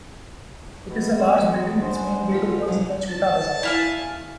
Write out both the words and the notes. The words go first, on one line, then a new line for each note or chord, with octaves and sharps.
It is a large building, its main gate opens in the Chota Bazaar.
B2 B3
F#3 B3 C4 C5 D#5
E3 D#5 F#5 G5
C#4 D4 G#4 C5 F#5
F4 G4 A4
D#2 B2 F3 F#3
A5
E4 F5 G#5